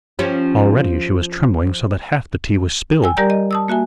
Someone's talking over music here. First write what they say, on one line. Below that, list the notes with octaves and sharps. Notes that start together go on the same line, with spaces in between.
Already she was trembling so that half the tea was spilled.
F3 C#4 G4
G5 G#5 E6
G3 G4 A#4 D5 A#5 G6
D#5
A5 D#6 E6
A#3 F#4 E5 G#5